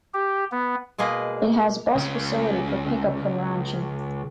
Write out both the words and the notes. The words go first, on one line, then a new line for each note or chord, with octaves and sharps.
It has bus facility for pickup from Ranchi.
G4
B3
B2 G#3 A#3 G#4 B4 D#5
C#2 C#3